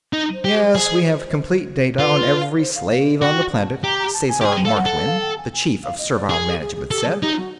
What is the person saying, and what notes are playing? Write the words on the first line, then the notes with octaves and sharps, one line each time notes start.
"Yes, we have complete data on every slave on the planet," Sesar Martwynn, the Chief of Servile Management, said.
D#4
C5
G4
C5
G#4
F4 B4
C5
F5
F5
F#4 G5
A5
G4 A#5
A#5
A5
G#5
G4
G#4 G#5
G5
A4 F5
F#5
A4
F5
G5
G#5
G#5
F5
D#5
D5
G#4 A#4
A4
G#4
G#4
G4 A4
G#4
D#4 G4
F4
F#4